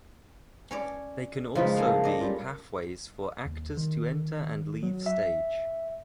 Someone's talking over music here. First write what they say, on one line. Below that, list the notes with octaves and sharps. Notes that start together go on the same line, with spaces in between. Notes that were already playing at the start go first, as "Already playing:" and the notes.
They can also be pathways for actors to enter and leave stage.
C#4 C#5 D5
C#3 F3 G#3 D#4 F4 B4
A#3 A4 G#5
D5 D#5
G3 C#4 F4
D#2
D#3
F#3
E5